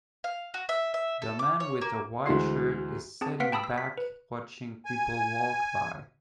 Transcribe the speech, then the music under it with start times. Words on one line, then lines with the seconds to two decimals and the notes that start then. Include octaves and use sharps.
The man with a white shirt is setting back watching people walk by.
0.24 F5
0.54 F#4
0.69 E5
0.94 E5
1.22 A4
1.39 D6
1.60 C#5
1.81 A#3
2.26 D2 E3 G#3 F#4 C6 C7
3.21 C4 G#4 A5
3.40 A#3 B4 F5 F#5 B6 D7
3.52 G5 A5 B5 D#6 E6
3.64 E6
3.78 B6
3.97 B4
4.85 G#5